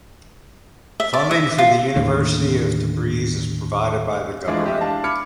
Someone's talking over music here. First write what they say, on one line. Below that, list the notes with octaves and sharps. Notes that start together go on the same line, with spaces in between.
Funding for the University of Tabriz is provided by the government.
E5
D5
E5
F4
D#2 A2 D3
E3 G#3 A3 D4 E4 F4
G4 D#5 E5
D4 E4 F5 A5
B5 D6 F6 G#6 C#7